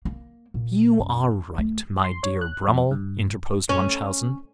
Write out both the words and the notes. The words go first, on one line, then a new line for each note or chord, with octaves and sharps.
"You are right, my dear Brummel," interposed Munchausen.
A#3
A#2
F#2
A3
C6
C#5
F#6
F2
G2
C#4